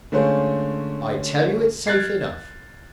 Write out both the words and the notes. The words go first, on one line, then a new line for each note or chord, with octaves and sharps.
I tell you it's safe enough.
D3 G#3 A3 C#4 F4 C5
F6 F#6 G#6 A6 C7